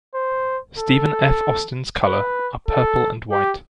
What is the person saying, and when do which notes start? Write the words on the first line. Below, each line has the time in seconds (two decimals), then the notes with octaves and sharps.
Stephen F. Austin's color are Purple and White.
0.15 C5
0.78 A4
2.05 B4
2.68 A4
3.31 G4